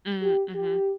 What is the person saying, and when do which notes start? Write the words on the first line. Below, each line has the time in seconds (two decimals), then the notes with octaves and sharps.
Mm, mhm.
0.22 G4
0.55 G4